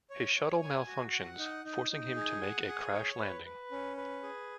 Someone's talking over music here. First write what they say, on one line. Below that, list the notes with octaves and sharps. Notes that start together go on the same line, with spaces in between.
His shuttle malfunctions, forcing him to make a crash landing.
C#5
C#5
G#5
F#4
F#5
D#4
D#4
D#4
G#4
F#5
G#4
C#5
B4
B4
C#4
B4
G#4